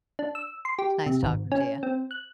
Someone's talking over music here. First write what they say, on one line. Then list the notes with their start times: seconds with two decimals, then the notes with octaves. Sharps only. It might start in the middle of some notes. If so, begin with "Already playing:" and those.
it's nice talking to you
0.19 D4
0.35 E6
0.65 C6
0.79 G4
1.06 C3
1.23 G#1
1.52 C#4
1.83 C4
2.11 F#6